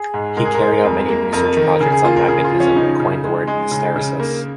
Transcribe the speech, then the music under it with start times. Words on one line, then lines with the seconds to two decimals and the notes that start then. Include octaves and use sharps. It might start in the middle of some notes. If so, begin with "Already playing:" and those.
He carried out many research projects on magnetism and coined the word 'hysteresis'.
Already playing: G#4
0.14 G#2
0.37 G#3 A#4
0.46 G#4
0.54 A#4
0.61 G#3
0.85 F2
1.09 A#3
1.32 F2 A#4
1.57 D#3
1.80 C#3 G#4
1.92 G#4
2.04 A#3 F4
2.16 A#4
2.28 C#3 G#4
2.45 F4
2.52 F3
2.60 C#4
2.76 C#3 D#4
3.00 C#3
3.24 G#3
3.47 G#3
3.71 C#3
3.96 C#3
4.20 A#3